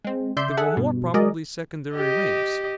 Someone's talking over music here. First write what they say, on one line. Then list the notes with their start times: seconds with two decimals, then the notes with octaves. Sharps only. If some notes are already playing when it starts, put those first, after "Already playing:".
They were more probably secondary rings.
0.05 G#3 C4
0.37 C#3 D5 E5 C6 G6
0.57 G#4 A4 E5 F#5
0.77 G2 B2
1.14 F#3 G#3 G#4 A#4 D5 D#5
1.94 G4 D#5